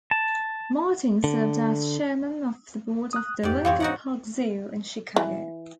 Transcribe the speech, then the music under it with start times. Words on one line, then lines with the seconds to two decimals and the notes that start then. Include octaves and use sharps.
Martin served as Chairman of the Board of the Lincoln Park Zoo in Chicago.
0.11 A5
1.24 D3
3.13 D#6 F#6
3.43 F2 G#2 G4 D5
3.65 E2 C4 C#5 F5
3.80 D#4 F#4 D5 F#5
5.16 E3